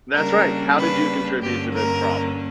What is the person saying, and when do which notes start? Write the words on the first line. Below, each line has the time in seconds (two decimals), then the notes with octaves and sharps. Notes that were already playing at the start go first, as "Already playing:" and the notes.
That's right. How did you contribute to this problem?
0.14 C#3 G3 A#3 D4 A#4
0.78 B4
1.42 G2 D3 A#3 C#4 G4
1.74 A#4